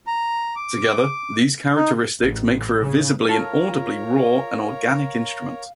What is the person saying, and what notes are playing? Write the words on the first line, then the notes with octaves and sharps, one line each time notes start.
Together, these characteristics make for a visibly and audibly raw and organic instrument.
A#5
D6
D#4
A1
C#3
F4 A4 A#4 C#5 F5 A#5